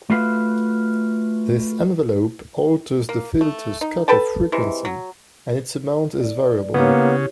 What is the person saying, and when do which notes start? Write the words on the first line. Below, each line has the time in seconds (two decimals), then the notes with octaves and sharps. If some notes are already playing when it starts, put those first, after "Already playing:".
This envelope alters the filter's cutoff frequency and its amount is variable.
0.10 A3 F4 F#4 B4 F5
3.09 A#3
3.41 A3
3.81 D#4
4.08 A4 B4 G5 A5
4.52 C3 E3 G#3
4.85 F#3
6.20 D5
6.74 C#3 A#3 B3 E4 G4 C#5